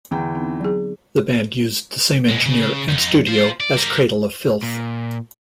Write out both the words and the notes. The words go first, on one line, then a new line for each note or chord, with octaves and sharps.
The band used the same engineer and studio as Cradle of Filth.
E2 D3 E3 G5
B3 C4 D#4
F#3 G#4
B2 G#3
C#3
F2 D#4
F4 C5
D5
G3 A#4
A#2